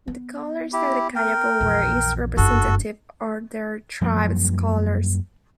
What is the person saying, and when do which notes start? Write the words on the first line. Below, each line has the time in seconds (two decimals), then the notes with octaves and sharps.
The colors that the Kayapo wear is representative of their tribes colors.
0.07 B3
0.73 E4 G4
1.15 A#4 G5
1.60 A#1 E2
2.37 F#1 G2 F#4 A4
4.01 F#2 F3 G3 A#3